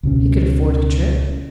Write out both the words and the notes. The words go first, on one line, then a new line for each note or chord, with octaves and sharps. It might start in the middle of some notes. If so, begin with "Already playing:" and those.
He could afford a trip.
C#2 B2 C#4